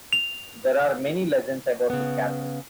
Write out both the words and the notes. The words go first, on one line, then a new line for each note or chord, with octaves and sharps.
There are many legends about this castle.
F7
C#3 B3